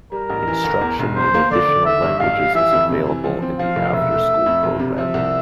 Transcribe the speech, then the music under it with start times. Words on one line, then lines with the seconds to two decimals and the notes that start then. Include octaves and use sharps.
Instruction in additional languages is available in the after school program.
0.12 G3 A#4
0.30 A1
0.48 E3
0.64 D2
0.81 E2
0.99 E1
1.16 E2 C5
1.34 A#3
1.51 D3 D5
1.68 D3
1.85 D3 E5
2.02 G2
2.20 A1 F5
2.37 G3
2.55 E3 E5
2.73 F2
2.89 C3
3.06 E3
3.24 F3
3.42 C4
3.59 F3 F5
3.76 F1
3.93 E1 E5
4.11 A3
4.29 A3
4.46 F2
4.63 E1
4.80 C3
4.98 F3 E5
5.14 C2